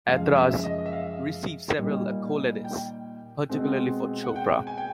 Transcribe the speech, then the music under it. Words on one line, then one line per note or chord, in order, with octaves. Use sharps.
"Aitraaz" received several accolades, particularly for Chopra.
F#2 C#3 F3 G#3 F5
E5
D#5
D#5
E5
F5
A#2 G3 A#3 D#4
G5
B2 G#3 C4
F#5
G5
G#5
G5